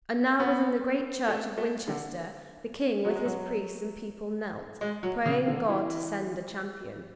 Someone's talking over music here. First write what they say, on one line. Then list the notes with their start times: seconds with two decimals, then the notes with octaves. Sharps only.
And now within the great church of Winchester the King with his priests and people knelt, praying God to send a champion.
0.40 B3
1.28 A3
1.58 A3
1.88 D3
3.05 F#3
3.16 G#3
3.25 F#3
4.81 G#3
5.03 F#3
5.26 C#3
5.48 D3
5.69 E3